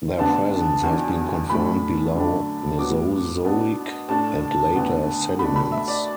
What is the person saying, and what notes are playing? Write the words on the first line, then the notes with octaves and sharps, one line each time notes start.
Their presence has been confirmed below Mesozoic and later sediments.
D2 D3 B3 D4 A5
E2 B2 F#3 D4
A2 F#3 A3 D4 B5
F#2 D3 A3 D4
A2 F#3 B3 D6
B2 B3 D4
A2 A3 D4 A5
D2 D3 B3 D4
B2 A3 D4 B5
B5
E5
D5